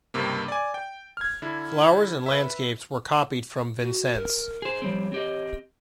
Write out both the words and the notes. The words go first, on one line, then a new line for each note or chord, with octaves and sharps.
Flowers and landscapes were copied from Vincennes.
C#2 G2 C3 A#3
D5 G#5
G5
F6 G#6
D3 E4
B4 E5
F#4
A#4
G#4 C5
F3 G3 C4 C#5
C4 G4 D#5